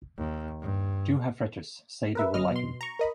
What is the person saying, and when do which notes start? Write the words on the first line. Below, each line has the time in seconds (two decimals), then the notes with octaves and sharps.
Do have fritters; Sadie will like 'em.
0.18 D#2
0.61 G2
2.15 A#4 B4 E5
2.34 G1 F#3 D#5 F6
2.51 B2 C6
2.81 A#5 C#6
2.99 A#4 D#5 B5